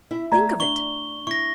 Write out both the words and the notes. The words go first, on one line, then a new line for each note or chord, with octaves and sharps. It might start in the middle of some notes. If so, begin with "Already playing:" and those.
Think of it!
E4 E5
A3 D5 A#5
D4 C#6 G7
E4 C#6 A#6